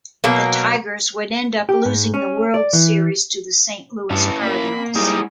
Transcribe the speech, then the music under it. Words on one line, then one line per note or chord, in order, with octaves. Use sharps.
The Tigers would end up losing the World Series to the Saint Louis Cardinals.
B2 F#3 A#3
G4
G#2
C#4
D5
E3
G2 C#4 E4 B4 A5
A#3 A#4 B5
G3 G#3 A#3 D#4 E4 G#4